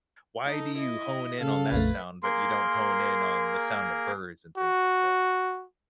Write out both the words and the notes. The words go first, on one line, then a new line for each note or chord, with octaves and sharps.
why do you hone in on that sound but you don't hone in on the sound of birds and things like that?
D#4 A4
E4 D#5
C#3 A4 F5
A#1 F2 A3 B4
A#3 G#4 A#4 C6
F#4